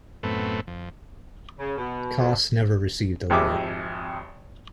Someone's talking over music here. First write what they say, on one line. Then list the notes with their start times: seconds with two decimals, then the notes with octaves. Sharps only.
Kaas never received the letter.
0.23 F#2 A2 A3 B3 C4
0.67 F2
1.59 C#3
1.77 B2
2.19 F2
3.30 G#1 F2 G4 G#4 E5 D6